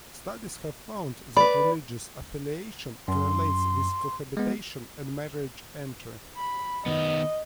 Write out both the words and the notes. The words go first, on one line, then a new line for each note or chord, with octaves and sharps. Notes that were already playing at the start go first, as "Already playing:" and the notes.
Studies have found that religious affiliation correlates with cohabitation and marriage entry.
B4 D5 B5
F#2 C6
G#3 B3
B5
D#3 B3 D#5